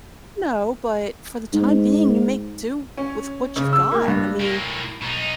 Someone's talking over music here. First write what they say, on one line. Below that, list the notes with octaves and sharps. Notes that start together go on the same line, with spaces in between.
No, but for the time being, you make do with what you've got. I mean
G#2
C#4
C#3
E6
A#3
G2
A2 A#3
B2 D#4